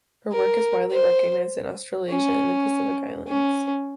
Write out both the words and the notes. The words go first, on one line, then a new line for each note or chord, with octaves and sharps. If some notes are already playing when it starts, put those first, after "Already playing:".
Her work is widely recognized in Australasia and the Pacific Islands.
A#4
C5
C#4
C#4